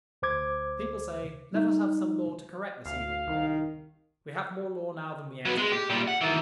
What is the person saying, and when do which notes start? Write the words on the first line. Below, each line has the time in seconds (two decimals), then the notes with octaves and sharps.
People say--"Let us have some law to correct this evil." We have more law now than we execute.
0.22 D2 C5 D6 G#6
1.53 G3 D#4
2.86 D2 F5
3.27 C2 D#3
5.45 F#3 B3
5.57 G#3
5.72 G4
5.90 A#2 G3
6.08 F#5
6.21 D#3 E3